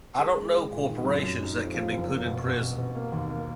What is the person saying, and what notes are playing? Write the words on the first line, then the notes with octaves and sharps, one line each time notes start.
I don't know corporations that can be put in prison.
G#3
G#3
G#3
A#2
D#3
F#2
F#2
D#4
F2
F3
F#1
A#3
B2
B2
B2
B2
A#3
D#2
A#3